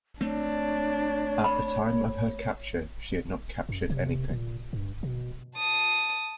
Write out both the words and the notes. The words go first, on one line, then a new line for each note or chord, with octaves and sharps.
At the time of her capture she had not captured anything.
A3 C4 D4 C#5
B5
F#2
C3
A#2
G2
B2
A5 D#6